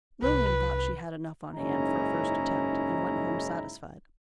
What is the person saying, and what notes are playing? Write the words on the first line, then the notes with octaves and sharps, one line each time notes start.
Lilian thought she had enough on hand for a first attempt and went home satisfied.
C2 B4
F#1 G#2 C#4 D#4 E4 A#5